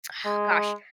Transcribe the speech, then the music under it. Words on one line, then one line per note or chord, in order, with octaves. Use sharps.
ugh, gosh,
G#3